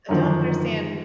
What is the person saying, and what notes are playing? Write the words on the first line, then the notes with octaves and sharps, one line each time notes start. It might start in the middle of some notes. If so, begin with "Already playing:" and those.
I don't understand
F#2 D3 D#3 F3